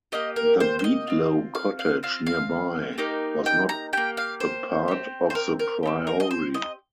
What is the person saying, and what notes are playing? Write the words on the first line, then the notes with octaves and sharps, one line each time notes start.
The Beadlow Cottage, nearby, was not a part of the priory.
A#3 G4 D#5
A#4
C5
C5
D#5
C4 F4
F5
F5
C4 F4 F5
F5
A#3 D#4 G4
G5
A#5
A#3 G4 G5
F5
C5
C4 G4
C5
A#4
A#4
C4 D#4 G4
A#4
D#5
C5
D#5